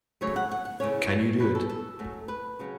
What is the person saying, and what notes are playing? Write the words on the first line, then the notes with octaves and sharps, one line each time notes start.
Can you do it?
C#3 F#3 A3 C#5
F#5
F#5
F#5
E2 C#3 F#3 A3 C#4 C#5
F#2 E3 C#4 B4
A4
A4
F#2 F#3 A3
B4
C#3 F#3 C#4